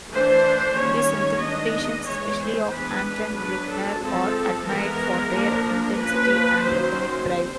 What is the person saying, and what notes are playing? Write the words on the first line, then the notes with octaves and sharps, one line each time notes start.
His interpretations, especially of Anton Bruckner, are admired for their intensity and rhythmic drive.
E3 A3 D4 C5
D#3 G3 A#3 C#4 C#5
D#3 G#3 B3 D4 D#5
E3 G#3 B3 C#5
C5
E3 G#3 B3 D4 B4
F#3 B3 D4 B4
A4
F3 G#3 C4 A4
E3 G#3 B3 A#4
F3 A#3 D4
F3 A#3 C#4 B4
D#3 F#3 A#3 C#4 C5
D3 G3 C4 C5